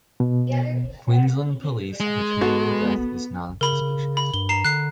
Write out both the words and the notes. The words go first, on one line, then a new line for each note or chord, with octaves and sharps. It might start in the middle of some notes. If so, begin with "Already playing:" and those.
Queensland Police are treating the death as non-suspicious.
B2
G#3
B3 F#4 A4
C#3 A#4 B5
C#3
B5
G2 G7
A#5 C7 E7
D3 F#6 C7